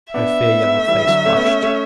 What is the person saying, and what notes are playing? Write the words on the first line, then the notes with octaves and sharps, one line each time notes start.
Her fair young face flushed.
B3 D4 E5
B3
A3
E3 G3
D3 F#3
A3 C#4
B3
A3 C#4
A3 C#4